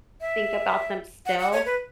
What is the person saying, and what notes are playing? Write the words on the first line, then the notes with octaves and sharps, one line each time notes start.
think about them still,
E5
F#5
F#5
C#5
B4